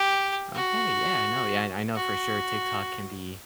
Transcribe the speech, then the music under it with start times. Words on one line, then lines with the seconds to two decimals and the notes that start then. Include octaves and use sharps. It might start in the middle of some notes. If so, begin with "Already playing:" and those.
Okay, yeah, I know, yeah, and I know, for sure, TikTok can be
Already playing: G4
0.55 F#4
1.95 F#4